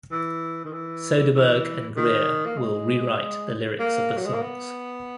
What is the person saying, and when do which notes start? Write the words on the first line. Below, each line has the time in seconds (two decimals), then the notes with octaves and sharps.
Soderbergh and Greer will rewrite the lyrics of the songs.
0.12 E3
0.65 D#3
0.73 E3
1.35 E3
1.96 D#3
2.46 A#3
2.57 G#3
3.80 A#3
4.17 F#3
4.26 G#3
4.34 A#3
4.42 B3